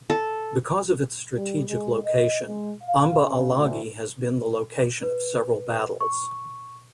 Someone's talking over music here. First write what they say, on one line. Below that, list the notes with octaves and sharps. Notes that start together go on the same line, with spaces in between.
Because of its strategic location, Amba Alagi has been the location of several battles.
A4
G3
G#3
D#5
G#3
F5
C#3
D2
B4
C#6